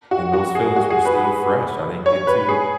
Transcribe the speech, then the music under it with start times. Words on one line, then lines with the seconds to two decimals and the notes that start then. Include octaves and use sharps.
And those feelings were still fresh. I didn't get to
0.11 F#4
0.33 F#4
0.55 G#4
0.76 F#4
0.90 G#4
1.05 B4
2.06 C#5
2.27 B4
2.49 G#4